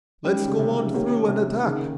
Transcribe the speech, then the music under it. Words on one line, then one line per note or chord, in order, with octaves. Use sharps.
"Let's go on through and attack!"
G3 G#3 C#4 G4
D#3
C#3
C3
D#3
D#3 A#3 C#4 G4 A#4
C3
C#3 A#3 D#4 G#4
D#3